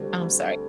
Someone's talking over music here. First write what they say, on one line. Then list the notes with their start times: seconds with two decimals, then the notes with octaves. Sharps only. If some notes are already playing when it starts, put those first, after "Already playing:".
oh, I'm sorry
Already playing: D2 D3 G3 C4